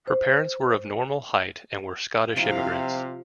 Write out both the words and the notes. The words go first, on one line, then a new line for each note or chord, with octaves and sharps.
Her parents were of normal height and were Scottish immigrants.
C5
C3 F3 E4 F5